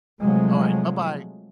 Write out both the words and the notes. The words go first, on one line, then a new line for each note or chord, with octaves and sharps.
all right, buh-bye.
C3 F3 F#3 G#3 A3